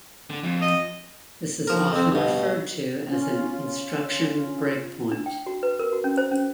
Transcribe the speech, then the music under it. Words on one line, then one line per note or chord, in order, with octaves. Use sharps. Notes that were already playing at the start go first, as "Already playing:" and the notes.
This is often referred to as an "instruction breakpoint".
D3
F2
D#5
F3 A#4
F2 C4
G2 B2
C#4 F4
D4
G5
F#4
B4
A#4
F#4
C#4
C5
C#4